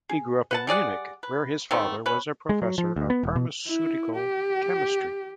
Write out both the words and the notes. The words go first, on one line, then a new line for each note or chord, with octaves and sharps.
He grew up in Munich where his father was a professor of pharmaceutical chemistry.
G#4
B4 F#5 A5
G3 G#4 D5 F#5
B4
D#3 A3 B3 C4
C#4 B4
G#3
F#3
F3
D2
B3
E1
B2
E4
G4